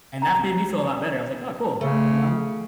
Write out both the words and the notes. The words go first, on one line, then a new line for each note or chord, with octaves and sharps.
And that made me feel a lot better, I was like, "Oh, cool. You know?
A#5
C#3 A3